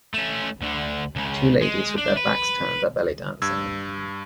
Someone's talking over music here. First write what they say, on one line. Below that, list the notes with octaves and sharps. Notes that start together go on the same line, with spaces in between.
Two ladies with their backs turned are belly dancing.
A3 C#4
D2 D3
C#2 C#3
G#3
D4
B4
G2 E6 G#6